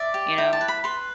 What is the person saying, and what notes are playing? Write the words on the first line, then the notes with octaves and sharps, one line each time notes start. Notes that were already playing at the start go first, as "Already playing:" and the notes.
you know?
Already playing: D5 E5
G4
E4 G5
A5
B4
B5
B4 C6